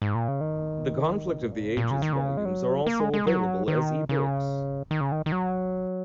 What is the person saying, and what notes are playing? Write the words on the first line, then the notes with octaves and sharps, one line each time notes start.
The Conflict of the Ages volumes are also available as E-books.
G#2
A#2
C#3
D#3
G#2
A#2
C#3
A#2
C#3
D#3
C#3
G#3
F#3
A#3
G#3
G#3
F#3
D#3
C#3
D#3
C#3
D#3
D#3
F#3